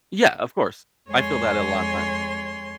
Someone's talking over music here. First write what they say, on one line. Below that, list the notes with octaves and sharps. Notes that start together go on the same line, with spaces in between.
Yeah, of course. I feel that a lotta times.
F2 G#3 C#5 G#5 C6